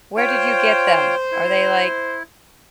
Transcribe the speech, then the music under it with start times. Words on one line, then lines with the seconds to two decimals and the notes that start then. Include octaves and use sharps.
Where did you get them? Are they, like,
0.17 F4 C5 C#5 G5
1.32 E4